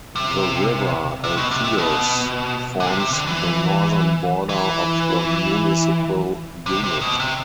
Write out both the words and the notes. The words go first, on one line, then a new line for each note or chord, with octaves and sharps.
The river Alfeios forms the northern border of the municipal unit.
C3
C3
B2
C3
C3
B2
D3
C3
C3
D3
E3
E3
C3
C3
B2
C3